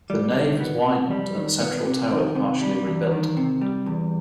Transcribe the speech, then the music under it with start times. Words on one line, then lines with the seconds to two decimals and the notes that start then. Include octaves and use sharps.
The nave was widened and the central tower partially rebuilt.
0.10 G3
0.35 D#3
0.60 B3
0.85 C3
1.11 G3
1.35 D#3
1.61 B3
1.85 C3
2.10 D#3
2.35 C3
2.61 G3
2.87 E2
3.12 D#3
3.37 C3
3.61 G3
3.86 E2